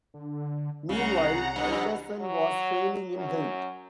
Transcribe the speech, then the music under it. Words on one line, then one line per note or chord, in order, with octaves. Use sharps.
Meanwhile, Henderson was failing in health.
D3
C2 C#3 F#5 A#5
G2 B2
F#3
F#2